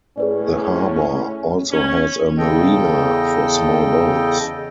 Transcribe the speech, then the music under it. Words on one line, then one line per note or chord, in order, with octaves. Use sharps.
The harbor also has a marina for small boats.
A2 C#4 G#4 B4 D5
C#4
E2 C#3 A4 D#5 G5